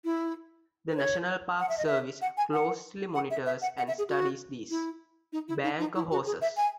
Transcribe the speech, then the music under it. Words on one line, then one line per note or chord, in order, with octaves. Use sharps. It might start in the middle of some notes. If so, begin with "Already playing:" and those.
The National Park Service closely monitors and studies these "Banker horses".
E4
B4
C#5
F#5
E5
D#5
E5
F#5
G#5
F#5
F#5
E5
E5
F#5
F#5
E5
G#4
F#4
E4
D#4
E4
D#4
D#4
E4
F#4
G#4
E5
G#5